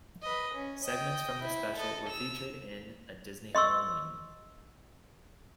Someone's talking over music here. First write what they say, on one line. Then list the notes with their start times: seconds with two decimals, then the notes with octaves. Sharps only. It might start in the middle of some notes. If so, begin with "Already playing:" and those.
Segments from this special were featured in "A Disney Halloween".
0.22 B4 D#5
0.54 C#4
0.85 D#5 G5
1.43 E4
1.77 A4 D#5
2.09 E6 F7
3.55 D#5 C6 C#6 E6